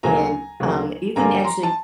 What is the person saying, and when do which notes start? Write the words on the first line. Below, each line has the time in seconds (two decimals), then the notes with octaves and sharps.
and, um, you can actually
0.03 D2 C#3 F#3 A#3 G#5 A#5
0.60 D2 C#3 F#3 A#3
1.16 G2 D3 G3 A#3 G#5 A#5
1.44 A#5 C6
1.63 A5